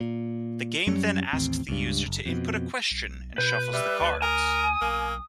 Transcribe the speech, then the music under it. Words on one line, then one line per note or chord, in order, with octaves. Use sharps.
The game then asks the user to input a question, and shuffles the cards.
A#2
F#2 F#3 G3 C#4
A1 D#2 C4
C#2 G2
F#1
F2 B2
B1
B2 B4 G6
G3 E5
D2 A5
A#4 G#5 D#6
B1 A#3